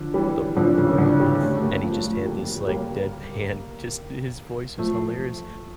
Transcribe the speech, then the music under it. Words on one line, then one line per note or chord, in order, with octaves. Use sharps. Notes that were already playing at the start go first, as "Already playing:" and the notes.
the Behemoth," and he just had this, like, deadpan. Just his voice is hilarious,
Already playing: D3 F3
E3 G3
D3 F3
C#3 E3
D3 F3
E3 G3
A3 C#4
A3
G3 A#3
F3 A3
F3 A3
G3 A#3
G3 A#3
F3 A3